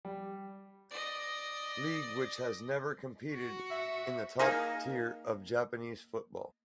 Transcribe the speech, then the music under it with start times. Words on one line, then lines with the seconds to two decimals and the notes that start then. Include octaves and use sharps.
League which has never competed in the top tier of Japanese football.
0.05 G3
0.91 D5 D#5
3.32 F#4
3.71 E5
4.39 A#3 D#4 G#4 A#4